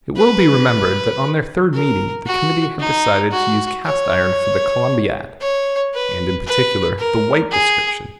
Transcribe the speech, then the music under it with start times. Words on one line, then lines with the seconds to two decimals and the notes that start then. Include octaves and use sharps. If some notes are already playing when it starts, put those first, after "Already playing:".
It will be remembered that on their third meeting the committee had decided to use cast iron for the Columbiad, and in particular the white description.
0.16 B4
1.74 A#4
2.27 F#4
2.80 D#4
3.32 F#4
3.85 C#5
5.41 C#5
5.94 B4
6.46 B4
6.99 A#4
7.51 G#4